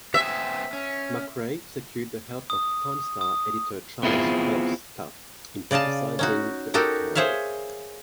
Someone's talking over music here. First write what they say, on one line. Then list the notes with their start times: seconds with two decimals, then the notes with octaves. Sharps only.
McRae secured the help of "Times-Star" editor Charles Phelps Taft in publicizing the editorial.
0.14 B3 C4 G#4 E5
0.73 C#4
2.50 D#6
3.21 D#6
4.03 B3 C4 E4 F4 G#4
5.71 C#3 D5 D#5 F5 A5
6.19 C#4 D#4 F#4
6.74 D#4 F#4 G4 A4 A#4
7.15 G#4 C5 C#5 E5 F5